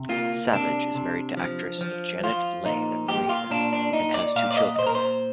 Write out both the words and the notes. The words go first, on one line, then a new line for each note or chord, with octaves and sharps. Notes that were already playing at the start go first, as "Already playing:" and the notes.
Savage is married to actress Janet-Laine Green, and has two children.
Already playing: C3
A#3 F4
C3 D4
C3
F3
F3
F3 F4
A#2 D#4
A#2 G4
F4
A#2 D4
D4
A#2 D#4
D5
A#2 F5
D5
D#5
A#2 C5
A#4
C5